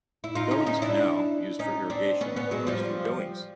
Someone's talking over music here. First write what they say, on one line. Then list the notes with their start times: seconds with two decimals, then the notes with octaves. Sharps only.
The Billings Canal, used for irrigation, runs through Billings.
0.24 E4
0.35 D#4 F4
0.51 C#4 D#4
0.66 C#4 D#4
0.77 D#4
0.82 D4 E4
1.59 C#4 D#4
1.90 C4 D4
2.21 B3 C#4
2.36 B3 C#4
2.51 F#3 G#3
2.67 F3 G3